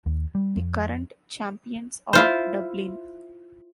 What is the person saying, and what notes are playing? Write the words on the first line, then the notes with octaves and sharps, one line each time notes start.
The current champions are Dublin.
D#2
G3
F2
E4 F4 C5